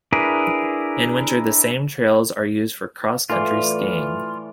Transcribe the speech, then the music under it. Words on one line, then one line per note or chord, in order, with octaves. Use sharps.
In winter, the same trails are used for cross-country skiing.
D4 E4 G#4 A#4 B4
A2 E3 F4 D5